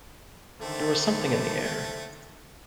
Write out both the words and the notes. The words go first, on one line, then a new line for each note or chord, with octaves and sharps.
There was something in the air.
D3 D#3 A3 C4